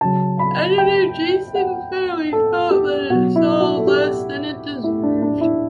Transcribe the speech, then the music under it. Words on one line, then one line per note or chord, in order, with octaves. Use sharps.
Editor Jason Fanelli felt that it sold less than it deserved.
C#3 F#3 A5
B5
G5
F#5
A4
G4
B2 F#3 F#4
E4
F#4
A4
G4
E4
D4
D4
E4